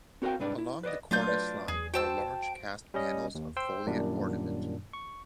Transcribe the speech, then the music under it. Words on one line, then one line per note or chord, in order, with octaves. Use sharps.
Along the cornice line are large cast panels of foliate ornament.
C4 F#4 A#4 D5 F5 G5
C2 G#2 D4 B4 D5
E4
B4 C5 D5 D#5
F#3 A3 D4 F4 G6
B4 D5
E2 G#4
F#4 C5 G5 A5 E6
D7
G3 C#4 D#5
D#2
C5 G5 C6 E6
F#2 A#2 D#3 G3 D4
C#6